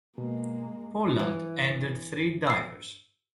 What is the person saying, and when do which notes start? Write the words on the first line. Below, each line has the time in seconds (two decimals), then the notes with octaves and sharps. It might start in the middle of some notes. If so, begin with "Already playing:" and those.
Poland entered three divers.
0.18 B2 G#3 A#3
1.19 E3
2.47 E6 C7